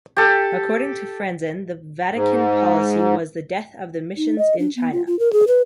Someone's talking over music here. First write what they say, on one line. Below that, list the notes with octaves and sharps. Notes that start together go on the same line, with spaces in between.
According to Franzen, The Vatican policy was the death of the missions in China.
G4 A4
G#2
D#4
D#5
D4
B3
F4
F4
A#4
G#4
B4